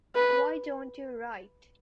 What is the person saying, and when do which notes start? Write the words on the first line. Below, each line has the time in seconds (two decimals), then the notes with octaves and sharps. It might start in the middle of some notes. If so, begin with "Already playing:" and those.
Why don't you write?
0.15 B4